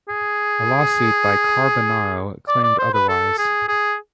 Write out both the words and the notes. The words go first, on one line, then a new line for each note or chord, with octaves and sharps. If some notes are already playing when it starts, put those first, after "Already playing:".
A lawsuit by Carbonaro claimed otherwise.
G#4
D5
D5
C5
B4
A4
G#4
G#4